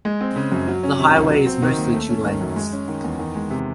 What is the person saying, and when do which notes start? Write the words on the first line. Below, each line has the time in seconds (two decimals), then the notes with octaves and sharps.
The highway is mostly two-lanes.
0.05 G#3
0.21 C4
0.36 C#3
0.52 F#2
0.67 F#3
0.83 C#4
0.99 C3
1.15 C#2
1.30 F#3
1.46 C4
1.62 D#3
1.78 D#2
1.93 A3
2.09 C#4
2.25 D#3
2.41 F#2
2.56 G#3
2.73 C#4
2.88 D#3
3.04 E2
3.19 D#3
3.35 G#3
3.50 C3